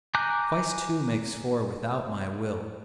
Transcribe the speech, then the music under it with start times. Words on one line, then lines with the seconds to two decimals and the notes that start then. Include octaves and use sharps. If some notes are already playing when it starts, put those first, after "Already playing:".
Twice two makes four without my will.
0.15 G#5 A#5 D6 F#6 G6